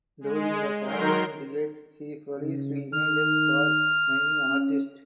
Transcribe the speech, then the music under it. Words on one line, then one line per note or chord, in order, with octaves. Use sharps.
During the following decades he produced images for many artists.
G#3
D#3 F#3 A#4 C6 G6
C#3
D#3 F6
C#4